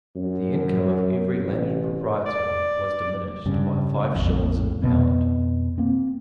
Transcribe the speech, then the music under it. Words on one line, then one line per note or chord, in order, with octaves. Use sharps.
The income of every landed proprietor was diminished by five shillings in the pound.
F#2
A1
D5
G2 C#3
A#1 F2
F2 B2 B3
A#3 C4